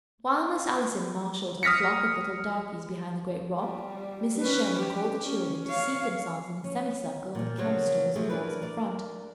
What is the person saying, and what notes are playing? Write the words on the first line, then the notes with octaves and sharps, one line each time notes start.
While Miss Allison marshalled her flock of little darkies behind the great rock, Mrs. Sherman called the children to seat themselves in a semicircle on the camp-stools and rugs in front.
D#6 F6 A#6 B6 C#7
G3
C#4 B4
G4
C#4
C#5 F5
C#4
A#2 F3
C#3 F3 F#3 A#3
C3 F3 A3 C4 G#4
D4 E4 A#4 B4
A#4 D5